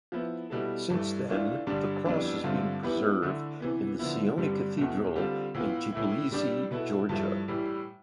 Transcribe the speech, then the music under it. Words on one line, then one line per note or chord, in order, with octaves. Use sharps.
Since then, the cross has been preserved in the Sioni Cathedral in Tbilisi, Georgia.
F3 B3 E4
B2 G3 B3 E4 A4
G2 E3 A3
E3 A3 D4 F4
G2 D3 G3 D4
F2 E3 G3 B3 D4
G2 D3 A3 C4 F4
E3 B3 E4 G4 B4
D3 A3 E4
C3 E3 B3
D3 F3 B3 E4
G2 D3 G3 C4
E2 B2 A3
D3 G3 C4 F4 A4
A2 E3 B3 F4
A2 E3 A3 E4
A2 G3 D4 G4
B2 B3 E4 A4
G2 F3 A3 E4
A2 E3 G3